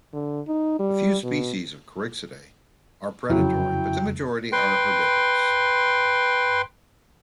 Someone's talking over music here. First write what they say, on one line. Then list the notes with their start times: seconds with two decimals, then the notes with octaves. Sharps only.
A few species of Corixidae are predatory, but the majority are herbivorous.
0.13 D3
0.48 D#4
0.79 G3
1.23 B2
3.30 F2 C#3 F#3 E4 G5
4.52 B4 G5 C6